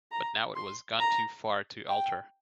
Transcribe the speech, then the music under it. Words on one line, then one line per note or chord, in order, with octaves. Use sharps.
But now it was gone too far to alter.
A#5
C6
A#5
G5